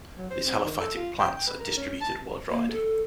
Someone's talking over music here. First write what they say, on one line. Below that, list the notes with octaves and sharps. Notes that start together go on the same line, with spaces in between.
These halophytic plants are distributed worldwide.
F#3
C5
C4
D#3
A4
F4
G5
G5
B4
A#4
C#4
A5
A#3
A4